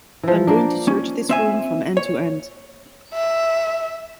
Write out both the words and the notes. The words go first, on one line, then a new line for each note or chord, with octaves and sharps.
I'm going to search this room from end to end.
E3 F3
A#3 D4
C#4
C4 E5 G#5
C#5
E5